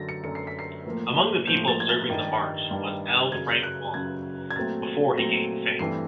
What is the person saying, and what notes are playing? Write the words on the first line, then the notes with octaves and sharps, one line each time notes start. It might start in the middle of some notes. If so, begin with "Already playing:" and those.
Among the people observing the march was L. Frank Baum, before he gained fame.
Already playing: F#2 D3 F#3 A6 A#6
C#7
F#2 D3 F#3 C#7
C7
B6
C7
A2 F3 A#3
A2 F3 A#3 G6
A6
G#6
A6
G2 D#3 G3
G2 D#3 G3
F#2 C#3 F#3 G#6
G6
F#6
F#2 C#3 F#3 G#6
G#6
A#2 F#3 A3 C4 A6
A#2 F#3 A3 C4 A#6
G2 E3 A3 C4 C7